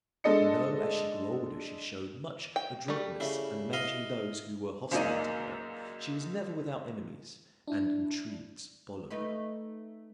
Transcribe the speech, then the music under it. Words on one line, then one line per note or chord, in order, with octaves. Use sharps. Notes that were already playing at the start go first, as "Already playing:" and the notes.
And though, as she grew older, she showed much adroitness in managing those who were hostile to her, she was never without enemies, and intrigues followed her.
G#3 D4 A4 D#5 C#7
G5
G3 A3
C#3 E4
E4 D#5 F5
C#2 F#2 A#3 D#4 D5 D#7
D4 E4
A3 D#4 B4